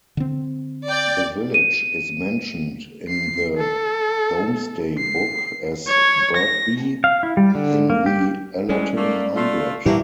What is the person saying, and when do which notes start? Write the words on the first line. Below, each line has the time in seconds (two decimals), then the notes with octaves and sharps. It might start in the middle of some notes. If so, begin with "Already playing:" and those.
The village is mentioned in the "Domesday Book" as "Bergbi" in the "Allerton" hundred.
0.17 D3 C4
0.90 D5 G5
1.54 D#7
3.09 C7
3.57 A4
4.98 C7
5.88 C#5
6.37 A#6
7.04 F5
7.23 E4
7.37 G3
7.55 D3
7.90 A#3
8.06 G4
8.69 A2 E3 G3 G#3 C#4 D5
8.97 A3 A#3
9.36 A3 F4
9.86 A2 E3 G3 A#3 D4 F#4 G4 E5